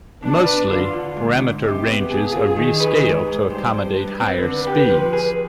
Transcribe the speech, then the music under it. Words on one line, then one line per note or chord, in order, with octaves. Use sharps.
Mostly, parameter ranges are rescaled to accommodate higher speeds.
B2 D4
B4
D3 F4
D3
G#2
G#2
C3 G4
B3
B2 G#4
F4
D#3
B4
G#2
G#2
G2 C5
G2
G2 B4
C4
D3 B4
G4
F3
G#4